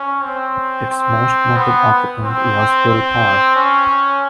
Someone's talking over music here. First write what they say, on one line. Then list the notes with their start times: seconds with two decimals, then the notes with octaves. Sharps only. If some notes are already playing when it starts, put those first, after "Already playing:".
Its most noted occupant was Bill Parr.
Already playing: C#4
0.23 C4
0.90 C4
1.56 B3
2.23 C4
2.89 C4
3.56 C#4